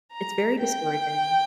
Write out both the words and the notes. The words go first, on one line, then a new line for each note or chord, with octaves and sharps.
It's very discouraging.
A#5
G5